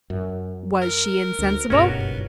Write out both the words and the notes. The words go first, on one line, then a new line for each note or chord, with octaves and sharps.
"Was she insensible?"
F#2
A#4
D2
F#1 B1 G2 B3 C#4 F#4 A#4